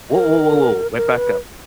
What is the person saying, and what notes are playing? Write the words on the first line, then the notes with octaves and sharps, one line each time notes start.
Whoa, whoa, whoa, whoa, wait, back up.
A#4
A#4
B4